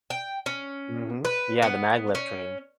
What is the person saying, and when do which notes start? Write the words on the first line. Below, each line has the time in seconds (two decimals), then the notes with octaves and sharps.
Mhm. Yeah, the maglev train.
0.10 G5
0.46 C#4
1.25 B4
1.62 B3
2.15 C#4